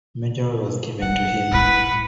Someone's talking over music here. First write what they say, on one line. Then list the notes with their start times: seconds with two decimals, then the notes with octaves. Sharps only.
Major role was given to him.
1.02 D#4 F#5
1.52 A2 E4 B4